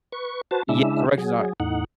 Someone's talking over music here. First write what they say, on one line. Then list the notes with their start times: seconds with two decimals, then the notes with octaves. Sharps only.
yeah, corrections are
0.12 B4 C#6
0.51 F#4 B4 C5 A5
0.69 C#3 G#3 D4 E4 E5
1.18 F#3 G#4
1.60 E2 A2 D#4 F#5